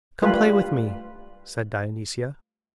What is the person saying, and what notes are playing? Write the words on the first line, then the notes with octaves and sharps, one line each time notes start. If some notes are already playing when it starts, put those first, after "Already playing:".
"Come play with me," said Dionysia.
G3 A3 F4 B4